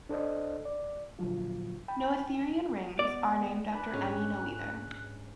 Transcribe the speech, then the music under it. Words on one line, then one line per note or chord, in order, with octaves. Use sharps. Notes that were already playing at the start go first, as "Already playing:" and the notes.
Noetherian rings are named after Emmy Noether.
D4 A4 C5 D5 D#5
D5
A#2 D3 F3 F#3 F4
G5 B5
B3 D5
D4 B4 B5 F#6
G#2 C#4